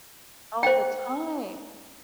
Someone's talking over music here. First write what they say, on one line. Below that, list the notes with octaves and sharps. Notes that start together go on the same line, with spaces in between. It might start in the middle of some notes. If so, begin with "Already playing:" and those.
All the time.
C5 G5